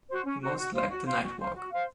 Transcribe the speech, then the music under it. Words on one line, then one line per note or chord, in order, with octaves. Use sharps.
He most liked the night walk.
F#4 C5
C#4
F#4 C5
F#4
C5 F5
F#4
C5 F5
F#4
C5 F5
F#4
C5 F5